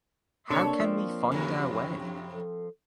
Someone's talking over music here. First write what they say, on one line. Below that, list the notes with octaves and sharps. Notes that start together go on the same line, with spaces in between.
How can we find our way?
C3 A#3 D4 A4 C#5
F3 C4
F2 A2 C3
A4